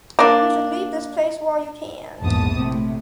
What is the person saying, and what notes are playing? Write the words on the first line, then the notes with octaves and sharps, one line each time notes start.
You should leave this place while you can.
A#3 D4
A#1 E2 G#2 A5 D#6
A2 C3